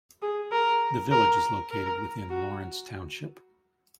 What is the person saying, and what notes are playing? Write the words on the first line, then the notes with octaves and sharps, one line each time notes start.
The village is located within Lawrence Township.
G#4
A#4
A#4
A#4
F#4